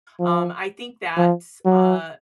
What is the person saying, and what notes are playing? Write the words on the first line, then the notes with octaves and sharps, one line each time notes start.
Um, I think that's uh,
F3
F3
F#3